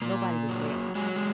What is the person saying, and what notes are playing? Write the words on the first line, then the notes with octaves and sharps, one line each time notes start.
Nobody was there.
A#2 A#3
F#3
F#3 G#3
G#3